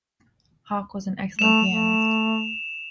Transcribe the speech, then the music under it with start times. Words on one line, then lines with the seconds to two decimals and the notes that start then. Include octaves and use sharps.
Hawke was an excellent pianist.
1.39 A3 E7 F7
1.67 A3